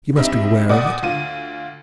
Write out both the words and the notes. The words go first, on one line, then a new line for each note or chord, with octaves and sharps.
You must be aware of it.
G2 C4 D#4 E5
A#2 D5 F#5 D#6
D2 F4 D#7